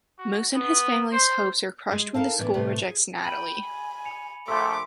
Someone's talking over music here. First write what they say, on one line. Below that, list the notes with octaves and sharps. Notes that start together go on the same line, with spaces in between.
Moose and his family's hopes are crushed when the school rejects Natalie.
F#4
B3
C5
G#3 G#4
D#4 A4 A#4 F5 A5
A2 D3 E3 B3
A2 C3 A3 B4
G#4
G5 B5 D#7 F#7
G#5
C#7 F7
A#1 A3 C6 D6 E6 B6